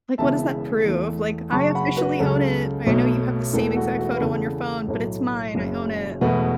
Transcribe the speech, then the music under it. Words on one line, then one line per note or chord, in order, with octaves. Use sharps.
Like, what does that prove, like, "I officially own it. I know you have the same exact photo on your phone, but it's mine. I own it."
E1 E2 C#3 E3 E5 A5
E2 E3 A3
F#1 F#2 C#3 A5 C#6
F#5 B5
F#4 B4
C#2 C#3 F#3 A4
B1 B2 F#3 A3
E1 E2 E3 A3 A4
F#4
F#4
B4
E2 C#3 E3 A4
B1 A2 F#3 A3
F#1 F#2 C#3
E1 E2 B2 A3 F#4 B4